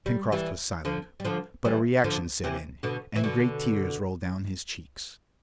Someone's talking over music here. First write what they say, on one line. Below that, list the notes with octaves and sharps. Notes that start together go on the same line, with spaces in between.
Pencroft was silent, but a reaction set in, and great tears rolled down his cheeks.
G3
E3 G3
D3 F3
G3
D3 F3
E3 G3
D3 F3
C3 E3
B2 D3
E3
B2 D3